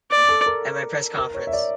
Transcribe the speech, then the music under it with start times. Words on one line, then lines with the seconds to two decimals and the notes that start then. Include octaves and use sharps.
At my press conference.
0.11 D5
0.29 A4
0.46 A#4
1.17 A#4
1.34 C#5
1.47 E5
1.53 D5